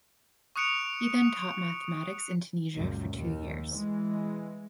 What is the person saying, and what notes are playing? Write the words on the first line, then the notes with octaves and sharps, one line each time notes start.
He then taught mathematics in Tunisia for two years.
C#6 D#6 F#6 C#7 D7 F7
C#2 F#2 A#2
D#2
E3 G#3